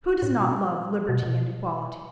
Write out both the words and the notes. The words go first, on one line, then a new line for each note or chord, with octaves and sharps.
Who does not love liberty and equality?
A2
B2
B2
B2